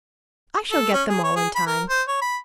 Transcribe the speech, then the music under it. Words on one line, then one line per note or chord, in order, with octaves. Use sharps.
"I shall get them all in time."
A4
C#4
G#4
C#5
G#4
B5
A#4
C5
C#5
B5